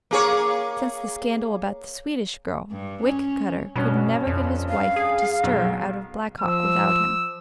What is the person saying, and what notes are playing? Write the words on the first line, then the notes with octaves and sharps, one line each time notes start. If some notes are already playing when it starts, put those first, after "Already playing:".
Since the scandal about the Swedish girl, Wick Cutter could never get his wife to stir out of Black Hawk without him.
A#3 G#4 C#5
G2
C#4
G2 B2 C#4
F2
F5
G#4
B1
F3 E6